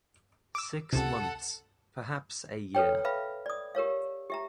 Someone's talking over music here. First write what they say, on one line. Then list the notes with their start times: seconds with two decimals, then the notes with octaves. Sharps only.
Six months, perhaps a year.
0.55 D6 E6
0.93 C#2 C3 A4 F#5
2.75 A4 B4 C#5 G5
3.04 B4 E5 F5 B5
3.46 D5 D#6
3.75 G4 A#4 C#5 F5
4.30 G4 E5 A#5